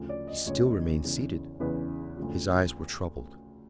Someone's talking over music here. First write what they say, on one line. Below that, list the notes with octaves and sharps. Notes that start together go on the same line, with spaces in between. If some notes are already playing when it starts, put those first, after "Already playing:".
He still remained seated. His eyes were troubled.
Already playing: D2 C#3 F3
D5
D#5
D2 C#3 F3 C#5
E2 C#3 E3
E2 C#3 E3 B4
D2 C#3 F3